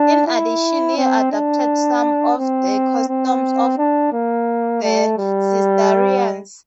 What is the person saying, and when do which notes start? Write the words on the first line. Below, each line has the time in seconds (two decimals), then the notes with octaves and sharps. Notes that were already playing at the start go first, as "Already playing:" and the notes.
In addition he adapted some of the customs of the Cistercians.
Already playing: D4
0.27 E4
0.97 C4
1.32 D4
2.38 C4
3.08 C4
3.78 D4
4.13 A#3
4.83 A3
5.18 G3